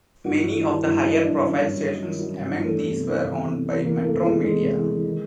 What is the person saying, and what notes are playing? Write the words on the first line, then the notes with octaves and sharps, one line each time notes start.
Many of the higher-profile stations among these were owned by Metromedia.
G2 F#4
G2
E4
D#3
D#3 G4
G2 E4
F#3
D#4
D#3
D4
G2
D#3 C#4
G2
G2
F#3
D#3
F#3
G2
G2
E3 A3
E2
C3
E3
E2
E2
C3
E3
E2 A#3
C3
A3
E2
G#3
E2
E2 G#3
C3
E3
E3
D#3